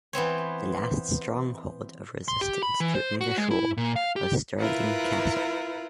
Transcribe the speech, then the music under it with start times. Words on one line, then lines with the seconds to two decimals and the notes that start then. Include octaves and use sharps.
The last stronghold of resistance to English rule was Stirling Castle.
0.13 E3 B3 C4 C#5
2.28 C6
2.41 G4
2.63 B5
2.80 E3
2.95 C5
3.21 F#4
3.38 G#3
3.51 E4
3.77 A#2
3.96 F5
4.16 G4
4.58 E4 F4 A#4 B4